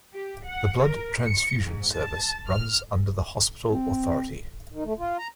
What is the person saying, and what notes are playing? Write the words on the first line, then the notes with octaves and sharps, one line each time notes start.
The blood transfusion service runs under the Hospital Authority.
G4
F#5
A#4
C#7
G#2
A5
F6
C4
D#3
A3
F4
A#5